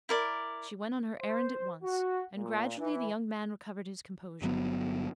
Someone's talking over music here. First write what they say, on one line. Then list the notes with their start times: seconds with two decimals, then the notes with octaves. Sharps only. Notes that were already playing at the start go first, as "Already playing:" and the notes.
She went on her errand at once, and gradually the young man recovered his composure.
0.09 E4 A#4 D5
1.21 C5
1.83 F#4
2.37 A#2
2.78 E3
4.42 G1 F#3 B3